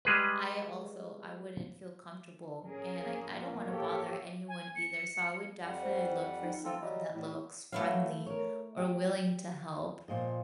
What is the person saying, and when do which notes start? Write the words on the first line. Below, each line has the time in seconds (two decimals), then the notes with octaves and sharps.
I also I wouldn't feel comfortable, and I I don't wanna bother anyone either, so I would definitely look for someone that looks friendly or willing to help.
0.05 G3 G#3 G#4 B4
2.66 C#4 G#4 A#4
3.02 A#3
3.35 F3 C4
3.68 G4 A4 C#5
4.49 G#5
4.75 C#7
5.63 F2 G3 F#5
5.82 C5
6.41 D#4
6.64 C4 F4 A4
6.81 F#3 G3 D#5
7.14 A2 G3 E4
7.72 E3 F#3 A3 E4 F5
8.26 A#4 C#5
8.77 G4
10.08 A#2 F3 D#5